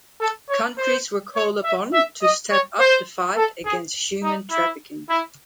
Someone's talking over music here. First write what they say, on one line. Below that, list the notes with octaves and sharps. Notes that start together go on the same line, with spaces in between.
Countries were called upon to step up the fight against human trafficking.
A4
C#5
C5
C#5
E5
E5
D#5
C#5
C5
A4
G#4
D#4
E4
E4